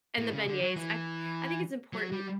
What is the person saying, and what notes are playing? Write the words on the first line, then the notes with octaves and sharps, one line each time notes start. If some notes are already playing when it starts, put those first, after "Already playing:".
And the beignets. I I think it's important
A2
C#3
D3
F#3
E3
F#3
G3